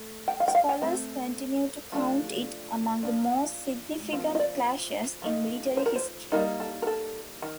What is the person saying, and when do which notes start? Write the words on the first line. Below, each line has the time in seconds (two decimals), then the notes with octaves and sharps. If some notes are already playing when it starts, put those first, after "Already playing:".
Scholars continue to count it among the most significant clashes in military history.
Already playing: A3
0.28 G5
0.40 F5
0.48 G5
0.55 F5
0.69 G5
0.82 A3 C4
1.92 F3 A3 D4
3.03 F3 A#3 D4
4.13 F3 C4
4.35 D#5
4.39 D5
5.22 F3 A3 D#4
5.77 C5
5.86 A#4
5.95 C5
6.32 G3 A#3 D#4 A#4
6.60 A4
6.82 A#4
6.87 A4
7.42 D#3